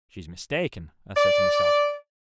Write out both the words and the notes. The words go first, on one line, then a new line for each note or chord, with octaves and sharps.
'She's mistaken, I said to myself.
D5